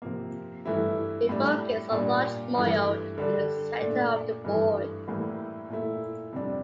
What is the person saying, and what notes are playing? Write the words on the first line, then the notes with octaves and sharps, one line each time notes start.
It focused on large moyo in the center of the board.
C3 F3 A#3
G2 E3 A3 E4
A2 G3 D4
A#2 G3 D4
G2 E3 A3
D3 G3 D4
A#2 A3 D4
G2 E3 A3
A2 E3 G3 A#3 E4
A#2 A3 E4
F2 C3 G3 D4